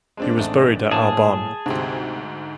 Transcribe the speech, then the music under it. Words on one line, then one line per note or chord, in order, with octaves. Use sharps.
He was buried at Arbonne.
G#3 C4 D4
A1 A3 D#4
A2 A#3 G#4 A5
D2 G#2 C3 C4